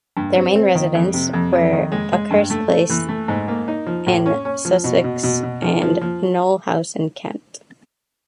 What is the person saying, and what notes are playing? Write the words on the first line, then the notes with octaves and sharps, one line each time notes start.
Their main residences were Buckhurst Place in Sussex and Knole House in Kent.
G2
C4
C4
D#3
F2
C3
F2
F2
D#3
G#3
G#3
G2
A3
A3
E3
A3
G#2
A#3
D#4
F3
A2
C#4
C#4
F3
B2
B2
B2
B2
F3
F3
F3